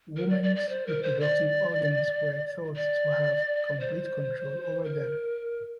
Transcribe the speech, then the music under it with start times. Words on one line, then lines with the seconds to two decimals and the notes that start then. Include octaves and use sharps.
Woman's reproductive organs were thought to have complete control over them.
0.17 A#4
0.30 D5
0.43 D5
0.56 D5
0.69 C5
0.87 A#4
1.03 C5
1.20 D5
2.76 D5
3.80 C5
4.84 A#4